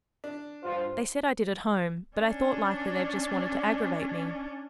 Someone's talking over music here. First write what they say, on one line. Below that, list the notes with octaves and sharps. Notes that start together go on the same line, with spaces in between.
They said I did at home, but I thought likely they just wanted to aggravate me.
D4
G2 F4 C5
C#4 D4